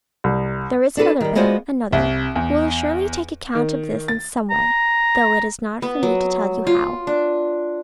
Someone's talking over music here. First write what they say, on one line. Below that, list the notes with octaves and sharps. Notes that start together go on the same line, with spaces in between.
There is another, Bill, another, who will surely take account of this in some way, though it is not for me to tell you how.
C2
D4 F#4 A4 B4
D#3 G3
G#3 B3 F4 F#4 C5 D5
C2
E2
D#3
A6
A#5
B3
F#3
F4
D4